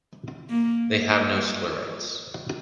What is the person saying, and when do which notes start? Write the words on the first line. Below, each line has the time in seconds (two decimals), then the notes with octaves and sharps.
They have no sclerites.
0.50 A#3